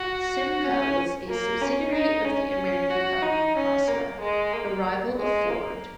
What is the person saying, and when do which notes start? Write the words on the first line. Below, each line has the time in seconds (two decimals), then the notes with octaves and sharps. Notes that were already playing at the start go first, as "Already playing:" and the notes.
Simca was a subsidiary of the American company Chrysler, a rival of Ford.
Already playing: F#4
0.64 C#4
1.28 A#3
1.61 C#4
1.94 D#4
2.25 C#4
2.90 F#4
3.22 D#4
3.56 C#4
3.88 A#3
4.20 G#3
4.53 A#3
5.18 G#3
5.50 A#3